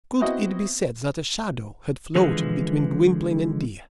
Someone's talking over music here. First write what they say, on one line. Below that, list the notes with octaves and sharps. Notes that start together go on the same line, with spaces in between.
Could it be said that a shadow had floated between Gwynplaine and Dea?
B3 C4 E4 F#4 D#5
D3 E3 F3 G#3 G#4 B4